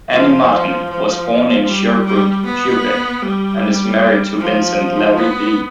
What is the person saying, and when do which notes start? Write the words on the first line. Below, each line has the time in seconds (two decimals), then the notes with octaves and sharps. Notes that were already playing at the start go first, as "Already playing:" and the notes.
Annie Martin was born in Sherbrooke, Quebec, and is married to Vincent Larivee.
0.12 F3
0.89 F3
1.67 G3
2.06 G3
2.45 B3
3.22 G3
4.39 F3
5.18 B3